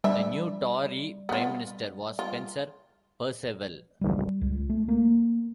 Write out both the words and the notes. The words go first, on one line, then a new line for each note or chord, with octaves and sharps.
The new Tory Prime Minister was Spencer Perceval.
G3 D4 E5
B3 F4
F4
G3
C#2
A3
A#3